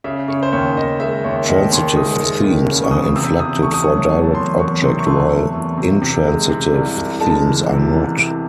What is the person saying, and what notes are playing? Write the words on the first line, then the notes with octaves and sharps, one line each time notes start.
Transitive themes are inflected for direct object, while intransitive themes are not.
C#3 E5
C#3 C#5
C5
D#2 C#5
D#2 D#5
G#3 E5
D#2 C#5
D#2 D#5
D#2 C6
G#3 D#6
G#3
D#2
C#3
C#6
E2 D#6
C3 E6
E2 D#6
A3 C#6
D#6
F#3 C#6
A3
A5
E2 C6
E2 C#6
C3 C6
C#6
A3 C6
E2
E2
C3
C3
G#3
C3
C2
C2
G#3 A5
E3
C3
E3
C3